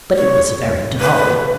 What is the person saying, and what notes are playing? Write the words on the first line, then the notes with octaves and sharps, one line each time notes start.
But it was very dull.
C#5
B4